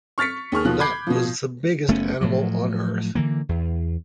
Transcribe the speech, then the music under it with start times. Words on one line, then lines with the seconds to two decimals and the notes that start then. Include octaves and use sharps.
That was the biggest animal on earth.
0.18 C#6 F6 A6 B6 C#7
0.52 D#2 G#4 C#6 F6
0.65 D#2 B2 F3 F#6
0.80 B5 D6 G6 G#6 C7
1.07 B2 F3
1.88 F#1 A3 B3 C#4
2.21 A2 F3 F#3
3.15 D3 E3 A#3
3.49 E2